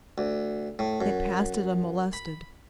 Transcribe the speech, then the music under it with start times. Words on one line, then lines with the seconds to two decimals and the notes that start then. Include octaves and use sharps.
They passed it unmolested.
0.18 D2
0.79 A2
1.01 F#2
2.13 B5